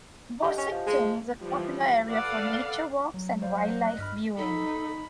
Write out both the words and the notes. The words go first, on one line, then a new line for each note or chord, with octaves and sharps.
Bossington is a popular area for nature walks and wildlife viewing.
D3 G4 D#5 F#5
C#4
F3
G#3 G#4
E3 F3 G3
A4 B4 D5 F5 F#5
F#3
C5 D5 F5
D5 F#5 C#7
D#5 F#6
G2 B5 F6 B6
D#4 A4 B5